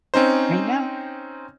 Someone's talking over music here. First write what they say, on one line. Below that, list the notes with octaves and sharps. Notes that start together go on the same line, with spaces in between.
I know.
C4 C#4 D#4 C5